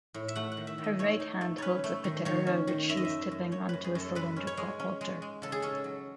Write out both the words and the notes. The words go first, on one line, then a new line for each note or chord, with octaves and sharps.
Her right hand holds a patera which she is tipping onto a cylindrical altar.
A2
E5
A3 F#5
F#5
D#3
E5
D#3
D#5
A3 C#5
D#4
A3
C#4 B4 C#5
A3
D#3
D#3 C#5
C#4
D#3
F#2 E5
D#5
E5
A3
F#2
F#2 C#5
F#2 B4
G#4
F#2 A4
G#3 B4
C#4
C#5
G#3
C#4
G#3
G#3
C#3 A4
G#4
C#4 A4
F#3